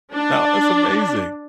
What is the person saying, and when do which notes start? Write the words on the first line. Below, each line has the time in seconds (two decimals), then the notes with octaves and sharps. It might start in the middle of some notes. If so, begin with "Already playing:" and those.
No, that's amazing.
0.13 D4